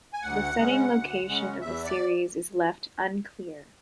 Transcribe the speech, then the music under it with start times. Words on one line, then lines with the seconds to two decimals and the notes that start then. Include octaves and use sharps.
The setting location of the series is left unclear.
0.13 G#5
0.22 D2 F#5
0.58 C#3 G#3 C#4
0.93 D2
1.28 C#3 G#3 C#4
1.61 E2 E5
1.84 D5